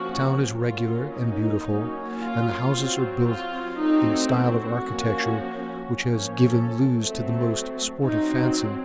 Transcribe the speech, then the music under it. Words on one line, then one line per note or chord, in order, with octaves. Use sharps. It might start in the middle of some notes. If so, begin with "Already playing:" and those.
The town is regular and beautiful, and the houses are built in a style of architecture, which has given loose to the most sportive fancy.
Already playing: F3 A#3 C#4 F#4
F#3 A#3 C#4 F4
D#4
F#3 A#3 C#4
F4
F#3 C4
F4
F#3 A3 C4 D#4
F#4
F3 A#3 C#4
F3 A#3 C#4
A4
F#3 A3 C4
F#3 C4 D#4